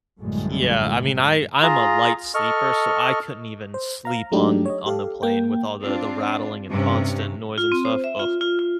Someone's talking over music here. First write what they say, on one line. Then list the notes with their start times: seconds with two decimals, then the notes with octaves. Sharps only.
Yeah, I mean, I I'm a light sleeper, so, I couldn't even sleep on on the plane with all the the rattling and constant noise and stuff, ugh.
0.20 A#1 F#2 A2 D3 G3 G#3
1.62 F4 G#4 A#5
2.35 A4 D#5 C#6 F6
3.74 C5
4.05 F5 A#5
4.32 F#3 G#3 A3 D4 D#4 G4
4.66 C#5 D#5
4.86 G4 A4 F5
5.23 A#3 G5
5.83 C4 D4 F4
6.69 G2 C3 C#4
7.58 F4
7.72 C4
7.85 C5
8.04 E5
8.19 F4
8.41 F4
8.59 F4